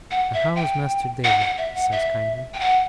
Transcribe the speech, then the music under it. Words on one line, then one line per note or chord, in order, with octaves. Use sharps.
'And how is Master David?' he says, kindly.
F#5
E5
G5
F#5
F#5
E5
F#5
E5
G5
F#5